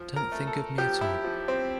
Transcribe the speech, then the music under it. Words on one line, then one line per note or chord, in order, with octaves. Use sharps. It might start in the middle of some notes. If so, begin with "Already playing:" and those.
Don't think of me at all.
Already playing: F3
A#4
A3
A4
F3 G4
E4
F3
C4